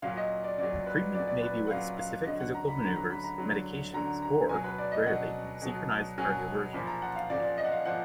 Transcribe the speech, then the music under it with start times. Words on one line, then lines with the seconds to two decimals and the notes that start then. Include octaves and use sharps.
Treatment may be with specific physical maneuvers, medications, or, rarely, synchronized cardioversion.
0.02 A#2 F#3 F5
0.17 D#5
0.44 D5
0.58 A#2 D5
0.62 F#3
0.86 B4
1.15 A#2 F#3 D5
1.28 D5
1.42 B4
1.67 F#5
1.70 A#2 F5
1.74 F#3
1.98 F5
2.27 D3 F#3 D#5
2.40 F#5
2.55 A#5
2.68 B5
2.82 D3 F#3 A#5
2.96 A#5
3.11 B5
3.24 A#5
3.38 D3 F#3
3.93 D3 F#3 A#5
4.22 A#5
4.49 B2 F#3 G#5
4.64 B4
4.78 D5
4.92 D#5
5.05 B2 F#3 F#5
5.62 B2 F#3
6.18 B2 F#3 G#5
6.73 A#2 F3 B5
6.87 A#5
7.02 F#5
7.16 F5
7.30 A#2 D5
7.34 F3
7.43 D5
7.58 D#5
7.65 F#5
7.71 F5
7.85 A#2 F3 F#5